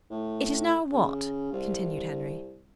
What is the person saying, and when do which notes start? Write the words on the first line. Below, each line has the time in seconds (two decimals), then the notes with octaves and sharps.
"It is now what?" continued Henry.
0.10 A2
0.92 C#3
1.52 C2